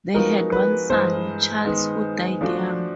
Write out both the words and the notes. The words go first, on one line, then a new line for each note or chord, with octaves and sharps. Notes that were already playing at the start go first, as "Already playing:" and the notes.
They had one son, Charles, who died young.
F3 G#3 B3 D#4 F#4 A#4
B4
G2 E3 G#3 C5
D#3 G#3 B3
F3 A3 D4 F#4 D5